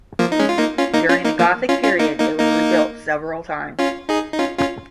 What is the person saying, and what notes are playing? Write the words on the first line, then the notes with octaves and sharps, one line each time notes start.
During the Gothic period it was rebuilt several times.
F3 A#3
D#4
G#3 C#4
F4
A#3 D#4
C#4 F4
A#3 D#4
C#4 F4
A#3 D#4
F3 A#3
C#4 F4
C#4 F4
A#3 D#4
A#3 D#4
A#3 D#4
C#4 F4
D#4 G#4
D#4
C#4 F4
C#4 F4